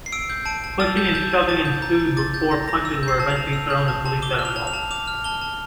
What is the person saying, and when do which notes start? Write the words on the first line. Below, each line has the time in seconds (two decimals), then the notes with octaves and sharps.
Pushing and shoving ensued, before punches were eventually thrown and police got involved.
0.06 C7
0.12 E6 D7
0.30 G6
0.45 A5 D7
0.64 A5
0.80 E6 A6
0.97 G6
1.14 A5 G6
1.32 A5
1.49 D6 A6
1.65 G6
1.82 A#5 G6
2.00 A#5
2.17 D6 A6
2.34 G6 A6
2.51 A#5 A#6
2.68 A#5 A#6
2.85 E6
3.03 G6 C7
3.20 A5
3.30 F7
3.36 A5
3.53 E6
3.70 G6
3.88 A5
4.05 A5
4.22 D6 G7
4.39 F6
4.45 F7
4.56 A5
4.67 F7
4.73 A5
4.91 D6 F7
5.08 F6
5.24 A5 G7
5.41 A5